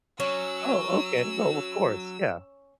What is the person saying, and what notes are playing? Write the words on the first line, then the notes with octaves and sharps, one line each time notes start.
Oh, okay. Well, of course, yeah.
F#3 C#4 E6